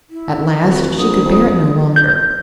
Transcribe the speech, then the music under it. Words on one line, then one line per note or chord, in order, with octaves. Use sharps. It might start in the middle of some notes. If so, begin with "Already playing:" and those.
At last she could bear it no longer.
E4
F1 F#4
A#1 D#6
F2
G6